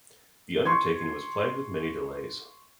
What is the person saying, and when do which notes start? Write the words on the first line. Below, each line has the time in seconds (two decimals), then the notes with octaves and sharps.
The undertaking was plagued with many delays.
0.65 C6 C#6 G#6